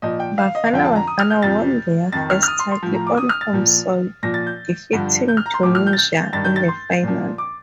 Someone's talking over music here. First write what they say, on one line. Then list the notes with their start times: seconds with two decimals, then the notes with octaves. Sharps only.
"Bafana Bafana" won their first title on home soil, defeating Tunisia in the final.
0.02 A#2 F3 D#5
0.20 G5
0.38 F5
0.55 D#5
0.64 F5
0.73 F2 D3 F3 G5
0.85 A5
0.96 A#5
1.07 D#6
1.20 F6
1.30 G6
1.42 F2 C3 F3 A6
2.12 F2 D#3 A6
2.30 F6
2.43 F6
2.48 D#6
2.59 C6
2.71 C6
2.83 A2 F3
2.94 A#5
3.07 D6
3.18 D#6
3.29 F6
3.41 A6
3.53 A#2 F3
4.23 A#2 F3 A#6
4.34 A6
4.47 G6
4.93 G2 D3 F3
5.28 G6
5.37 F6
5.46 A#5
5.54 C6
5.63 A2 F3 D6
5.75 F6
5.87 G6
5.93 A6
5.98 G6
6.33 G2 D#3 A6
6.44 G6
6.56 A6
6.68 C6
7.03 A#2 F3
7.38 D6